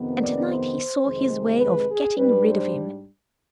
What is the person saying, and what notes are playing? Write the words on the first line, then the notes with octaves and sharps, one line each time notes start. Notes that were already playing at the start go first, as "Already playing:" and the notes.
And tonight he saw his way of getting rid of him.
Already playing: F2 C3 D#3 B3
D5
C5
F2 C3 D#3 G#3
B4
G#4
G#2 G3 D4 B4
C5